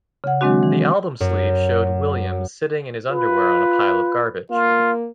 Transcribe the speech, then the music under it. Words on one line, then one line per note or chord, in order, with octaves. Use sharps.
The album sleeve showed Williams sitting in his underwear on a pile of garbage.
C#3 F#5
D#3 F#3 G#3 C4 D4 F#4
E3
F#2
F4 B4
A#3 F4